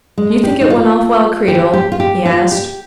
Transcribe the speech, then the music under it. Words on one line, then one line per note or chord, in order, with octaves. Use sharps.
"Do you think it went off well, Creedle?" he asked.
G#3
G4
D#4
F4
G4
G4
F4
G4
F4
G4